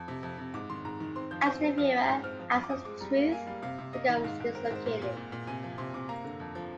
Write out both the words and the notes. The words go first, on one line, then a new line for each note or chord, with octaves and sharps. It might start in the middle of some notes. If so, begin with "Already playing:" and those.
As the viewer, access to truth becomes dislocated.
Already playing: F2
C3
F2
C3
G#2 D6
D#3 C6
G#2 A#5
D#3
C4 C6
F3 G6
C4 G6
C4
F3 F6
C4
G#2 G6
C4 F6
F3
F3
D6
C4 D#6
G#3 D6
G3 A#5
A#3
A#3 G#5
G3 F5
C3 F5
C3
A#3 D#5
D#3
G#2 F5
G#2
C4 A#4
A#4
G#2 C5
A#2
A#2
A#2
A#2
C3 G#5
F3
C3 C6
C3 D6
A#3 A#5
D3
F2
F3